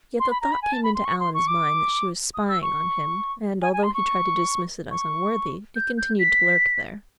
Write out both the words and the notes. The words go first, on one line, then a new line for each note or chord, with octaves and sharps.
Yet the thought came into Alan's mind that she was spying on him and, although he tried to dismiss it as unworthy, it continued to lurk there.
C6
B5
A#5
B5
G#5
A5
B5
C6
C#6
C6
C#6
D6
D#6
E6
C#6
G#5
G#5
C6
C#6
C#6
G6
G6
B6